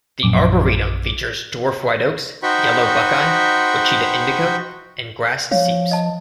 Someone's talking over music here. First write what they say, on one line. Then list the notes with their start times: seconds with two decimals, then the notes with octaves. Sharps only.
The arboretum features dwarf white oaks, yellow buckeye, Ouachita indigo, and grass seeps.
0.23 A#1 F#2 D6
2.43 D#4 F#4 C5 G5 B5 C#6
5.51 F3 C#5 F5
5.92 D#5 A5